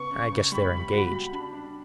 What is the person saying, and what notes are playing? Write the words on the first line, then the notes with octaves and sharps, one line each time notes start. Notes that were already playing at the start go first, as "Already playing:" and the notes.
I guess they're engaged.
Already playing: C#3 B3 C#6
C#3
C#3
G3 B5
G3
F#4
G3
D4
D4